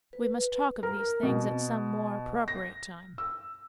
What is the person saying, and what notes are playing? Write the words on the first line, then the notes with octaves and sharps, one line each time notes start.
"We must talk of these things at some more appropriate time."
B4
A#4
B2
A#6
E6